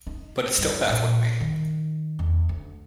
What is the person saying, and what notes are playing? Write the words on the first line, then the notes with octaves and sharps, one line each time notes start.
But it still baffled me.
D#4
G2
A#2
D#3
E2
D2